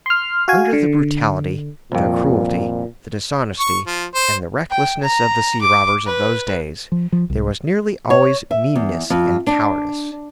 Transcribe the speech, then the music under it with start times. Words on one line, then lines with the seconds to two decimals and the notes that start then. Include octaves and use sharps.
Under the brutality, the cruelty, the dishonesty, and the recklessness of the sea-robbers of those days, there was nearly always meanness and cowardice.
0.06 C6 F6
0.48 F#4 F5 G#5
0.73 D3
1.92 C2 F2 A#2
3.60 C#6
3.86 F3
4.14 C5
4.70 G5
5.03 A#5
5.62 D6
6.06 B4
6.92 F3
7.12 F3
7.30 C2
8.10 C#5
8.51 E5
8.75 E2
9.10 F2
9.47 D4